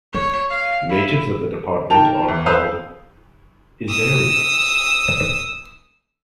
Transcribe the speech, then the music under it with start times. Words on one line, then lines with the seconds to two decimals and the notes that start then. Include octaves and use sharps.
Natives of the department are called "Isariens".
0.13 C#5
0.50 F5
0.89 E4
1.90 D#3 A#3 A#4 G5 A5 F7
2.28 E2
2.46 B4 C5 F5 D#6 E6
3.90 D#6 E6